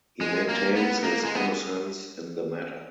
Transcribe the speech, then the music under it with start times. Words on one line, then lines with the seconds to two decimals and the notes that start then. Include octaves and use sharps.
He maintains his innocence in the matter.
0.21 G#3
0.49 A#3
0.76 B3
1.04 A#3
1.25 G#3
1.35 B3